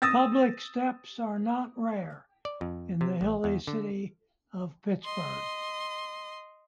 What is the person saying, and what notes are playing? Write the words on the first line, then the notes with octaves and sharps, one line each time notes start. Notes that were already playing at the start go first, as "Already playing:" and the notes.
Public steps are not rare in the hilly city of Pittsburgh.
D#6 E6 A6 A#6
D5
F2
C3
A1
E2
D3
D#5 C6